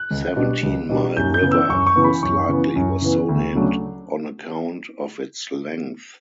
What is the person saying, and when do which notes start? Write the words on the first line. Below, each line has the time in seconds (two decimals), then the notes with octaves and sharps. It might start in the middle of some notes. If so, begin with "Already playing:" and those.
Seventeen Mile River most likely was so named on account of its length.
Already playing: F#6
0.11 C#2
0.36 B2 G3 D4
0.63 C#2
0.89 B2 G3 D4
1.17 F#2 G6
1.34 G6
1.42 C#3 E3 B3
1.51 E6
1.69 F#2 C#6
1.87 C#6
1.96 C#3 E3 B3
2.04 B5
2.23 F#2 C#6
2.49 C#3 E3 B3
2.76 F#2
3.02 C#3 E3 B3
3.29 D2
3.55 C#3 F#3 A3 D4